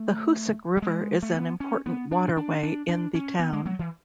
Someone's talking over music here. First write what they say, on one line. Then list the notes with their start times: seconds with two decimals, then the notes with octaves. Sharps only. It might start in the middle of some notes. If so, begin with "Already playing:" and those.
The Hoosic River is an important waterway in the town.
Already playing: A3
0.77 F#3
0.82 G#3
1.23 A3
1.34 B3
1.60 C#4
1.86 B3
2.12 D4
2.37 D4
2.63 D4
2.89 D4
3.15 C#4
3.40 B3
3.53 G#3
3.66 F#3
3.79 E3